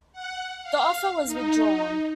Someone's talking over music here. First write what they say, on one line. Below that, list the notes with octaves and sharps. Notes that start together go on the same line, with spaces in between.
The offer was withdrawn.
F#5
F5
D#4